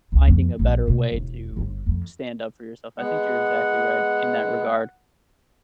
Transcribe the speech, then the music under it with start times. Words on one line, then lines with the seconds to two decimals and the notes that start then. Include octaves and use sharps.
finding a better way to stand up for yourself, I think you're exactly right in that regard.
0.12 C#2
0.27 F2
0.59 A#1
0.87 B2
1.12 E1
1.57 G1
1.86 F2
2.98 G#3 B3 F#5